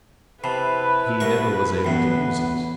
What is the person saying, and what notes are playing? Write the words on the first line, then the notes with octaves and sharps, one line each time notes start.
He never was able to use it.
C3 E4 B4 A5 B5
C2 A#4 C#6
E2 A2 B3 B4